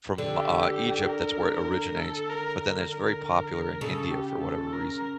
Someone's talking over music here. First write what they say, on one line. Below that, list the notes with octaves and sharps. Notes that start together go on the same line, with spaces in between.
from, uh, Egypt- that's where it originates- but then it's very popular in India for whatever reason.
D3 G4
A#4
A#4
A4
A#4
A#4
A#4
C#3 A4
G4
A4
A#4